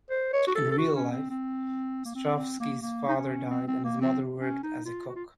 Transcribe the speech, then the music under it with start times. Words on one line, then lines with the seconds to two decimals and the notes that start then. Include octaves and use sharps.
In real life, Ostrovsky's father died, and his mother worked as a cook.
0.10 C5
0.33 C#5
0.47 F#4
0.56 A4
0.71 A4
0.78 F#4
0.96 C#4
1.12 C4
1.30 C4
2.05 A#3
2.15 C4
2.38 C4
2.60 A#3
2.82 A#3
3.08 D#4
3.17 C#4
3.51 C4
3.68 C4
3.84 A#3
4.02 C4
4.40 C#4
4.63 D#4
4.86 F4
5.08 F#4
5.16 F4